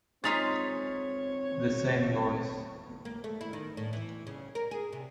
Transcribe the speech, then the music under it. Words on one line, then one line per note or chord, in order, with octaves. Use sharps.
The same noise.
G#3 C4 D#4 F4 C#5 A6 B6
A#3
A3
E4
D#3
A2
E3
C#3
A#4
G#4
C3